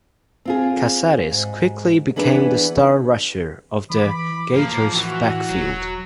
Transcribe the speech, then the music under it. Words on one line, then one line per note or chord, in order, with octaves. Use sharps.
Casares quickly became the star rusher of the Gators' backfield.
C4 F4 G#4
G#2
E3 B3 D4 G#4 A#4 B4
E3 B5 D6
A2 F3 A#3
E3 F#4
E1 F#3